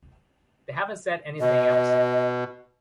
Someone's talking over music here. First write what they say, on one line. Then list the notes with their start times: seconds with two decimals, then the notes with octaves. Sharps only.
They haven’t said anything else.
1.40 B2 D#5